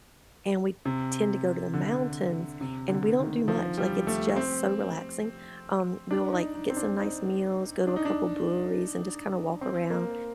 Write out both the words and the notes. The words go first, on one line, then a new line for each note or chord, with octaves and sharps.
and we tend to go to the mountains, and we don't do much, like, it's just so relaxing, um, we will, like, get some nice meals, go to a couple breweries, and just kinda walk around,
C3
D3
C3
D3
D#3
F3
G3
A3
C4
D4
D#4
D#4
C4
D4
D#4
D4
D#4
D4
C4
A#3